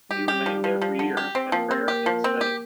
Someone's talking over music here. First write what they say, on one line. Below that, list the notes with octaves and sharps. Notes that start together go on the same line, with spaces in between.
He remained there for years, at prayer and study.
G3 G4
G4
F3
F3
F3
D3
G4
C4
F3 A#3
C4
G4
F3
C4
G4